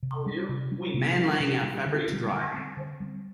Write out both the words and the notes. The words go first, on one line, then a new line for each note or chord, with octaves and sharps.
Man laying out fabric to dry.
C3
G3 D4
C3
G3 D4
C3
G3 D4
C3
G3 D4
D3
G3 C4
D3
G3 C4
D3
G3 C4